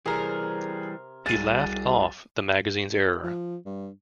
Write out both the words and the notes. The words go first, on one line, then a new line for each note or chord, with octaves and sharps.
He laughed off the magazine's error.
C3 E3 G3 G#4 A#4
C2 F#4 G#4 E5 A6 D#7
F3
G2